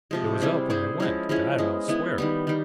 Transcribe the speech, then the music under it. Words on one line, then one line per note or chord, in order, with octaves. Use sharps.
'It was up when I went, that I'll swear.
C3 F3 G#3
G3 C4 E4 G#4
G3 C4 E4 G#4
F3 G#3 C#4 E4
F3 G#3 C#4 E4
G#3 B3 E4
G#3 B3 E4
D#3 G3 B3
D#3 G3